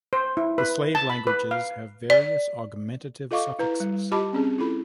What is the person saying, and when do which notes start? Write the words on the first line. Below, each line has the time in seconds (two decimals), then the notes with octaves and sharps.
The slave languages have various augmentative suffixes.
0.13 C5
0.37 E4
0.58 B4
0.95 A5
1.09 B5
1.27 B4
1.51 F5
2.10 D5
3.31 F4 A4 D#5 F5 C#6 D6
3.59 E4 B4 A#5
3.80 G3
4.11 F4 G4 D#5 A5 B5 D6
4.33 C4 C#4 G#4
4.58 E4 F4 A4 B5